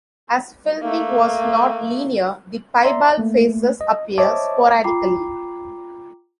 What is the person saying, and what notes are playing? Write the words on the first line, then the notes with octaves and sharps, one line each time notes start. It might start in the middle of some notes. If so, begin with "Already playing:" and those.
As filming was not linear, the piebald faces appear sporadically.
A3 A#3
D5 E5 A#5 C6
A3 A#3
D#5
C5 C#5 D#5 E5 A5 D6
F4 G5 A#5 B5 D6 C7